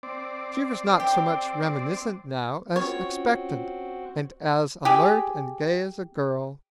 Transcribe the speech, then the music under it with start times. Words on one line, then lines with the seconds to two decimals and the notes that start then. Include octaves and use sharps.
She was not so much reminiscent now as expectant, and as alert and gay as a girl.
0.03 C4 D5
1.00 G4
2.76 C4 C#4 F4 F#4 C#5
4.85 G4 G#4